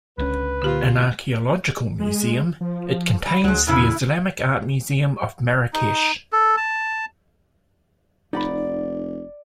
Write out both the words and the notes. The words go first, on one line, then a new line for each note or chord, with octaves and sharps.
An archaeological museum, it contains the Islamic Art Museum of Marrakech.
C#2 D3 G#3 C#4 B4
A#2 D3 A#3 F4 G4
G#3
F3
G3
D2 F#3 G#3
E2 A2 C#3 E4
D#4
A4
A5
F1 D#4 D5 F#5 B5